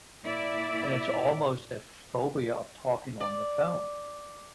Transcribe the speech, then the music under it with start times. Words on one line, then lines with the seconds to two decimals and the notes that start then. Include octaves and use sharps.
and it's almost a phobia of talking on the phone.
0.23 A#2 E4 D5 E5
3.20 D5